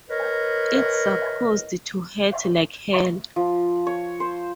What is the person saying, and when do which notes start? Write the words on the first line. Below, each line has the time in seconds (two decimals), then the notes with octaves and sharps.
It's supposed to hurt like hell.
0.10 A#4 B4 C#5 D#5
3.36 F3
3.87 C#5
4.20 C5